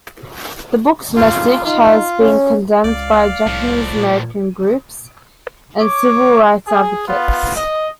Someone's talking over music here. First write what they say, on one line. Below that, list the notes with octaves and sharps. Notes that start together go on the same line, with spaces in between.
The book's message has been condemned by Japanese American groups and civil rights advocates.
F4
D#4 F4
C#4
C#2 D5 F5
C2 A2 F3
A#2
C#5 D6
G#4
B3 F4
D#5